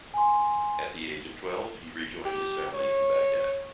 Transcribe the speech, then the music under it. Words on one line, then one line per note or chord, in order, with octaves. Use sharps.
At the age of twelve, he rejoined his family in Baghdad.
G#5 C6
G4
C#5